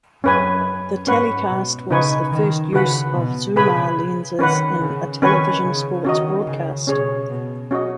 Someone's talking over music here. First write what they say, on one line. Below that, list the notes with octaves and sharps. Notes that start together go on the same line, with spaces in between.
The telecast was the first use of Zoomar lenses in a television sports broadcast.
F#2 C#4 B4 G#5
G#2 C#4 B4 F#5 C#6
B2
C#3 D#4 B4 G#5 C#6
D#3
C#3 F#4 B4 F#5 B5
B2
C#3 G#4 B4 G#5 B5
D#3 C#4 B4 F#5
C#3
D#3 C#4 B4 G#5 C#6
C#3
D#3 C#4 F#4 D#5
C#3
B2 C#4 G#4 C#5
B2
C#4 F#4 D#5